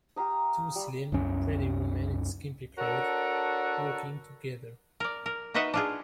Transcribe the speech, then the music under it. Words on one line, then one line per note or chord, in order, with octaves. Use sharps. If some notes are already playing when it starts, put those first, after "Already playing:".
Two slim, pretty women in skimpy clothes walking together.
G4 F5 A#5 D#6
G3
C2 F#2 C#4
D4 F#4 A4 A#4 C#5
A#4 D5
A#4
D#4 F#4 B4 D#5 E5 F#5
D4 F4 G#4